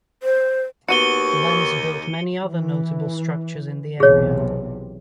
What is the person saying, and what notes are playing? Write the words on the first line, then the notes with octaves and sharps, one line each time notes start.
Lenz built many other notable structures in the area.
C5
D#2 B3 F#4 C#6 C#7 D#7 G7
E3
B1 E2 C3 G#4 C#5